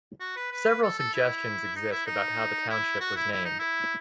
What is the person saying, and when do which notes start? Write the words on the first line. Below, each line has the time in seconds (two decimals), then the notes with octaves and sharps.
Several suggestions exist about how the township was named.
0.20 F#4
0.36 B4
0.51 B4
0.83 A4
0.98 A4
1.14 E4
1.76 D#4
1.91 E4
2.06 D#4
2.69 E4
3.00 F#4
3.16 E4
3.31 E4
3.45 D#4
3.59 E4